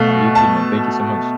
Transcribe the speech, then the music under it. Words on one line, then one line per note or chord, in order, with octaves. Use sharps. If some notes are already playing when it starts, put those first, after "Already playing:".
Alright you too, man, thank you so much.
Already playing: B2 A3 F5
A5